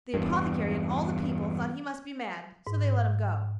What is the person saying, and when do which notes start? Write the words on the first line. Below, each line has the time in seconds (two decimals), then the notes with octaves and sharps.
The apothecary and all the people thought he must be mad, so they let him go.
0.14 E2 G2
2.67 G#2